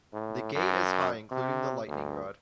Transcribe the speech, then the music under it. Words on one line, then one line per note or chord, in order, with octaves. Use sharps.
The gate is high including the lightning rod.
A2
F#2
C3
D2